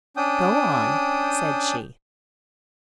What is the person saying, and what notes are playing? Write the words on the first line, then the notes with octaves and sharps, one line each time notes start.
"Go on," said she.
C#4 D4 G5 D#6